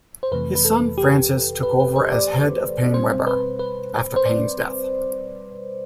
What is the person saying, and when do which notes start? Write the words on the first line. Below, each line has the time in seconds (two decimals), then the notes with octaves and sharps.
His son, Francis took over as head of Paine Webber after Paine's death.
0.23 C5
0.32 F2 C3 E3 A3 B4
0.55 B4
0.65 A4
0.98 G4
1.63 B4
1.80 B4
1.96 C5
2.12 D5
2.94 B2 G3 C4 C5
3.27 B4
3.59 B4
4.16 C5
4.26 D5